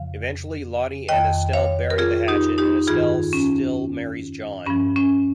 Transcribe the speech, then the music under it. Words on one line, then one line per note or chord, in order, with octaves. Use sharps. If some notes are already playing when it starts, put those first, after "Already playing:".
Eventually Lotte and Estelle bury the hatchet and Estelle still marries John.
Already playing: F2 C#3 F3 F5
F2 D#3 D#5 G5
C#5 F5
A#4
F4 G#4
D#4 G4
D#4 G4
G2 D#3 F4 G#4
C#4
G2 F3 C#4
C#4